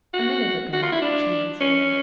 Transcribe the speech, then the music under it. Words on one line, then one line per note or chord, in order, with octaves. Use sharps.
"A minute ago," she answered.
F#4
F#4
F4
E4
D4
C#4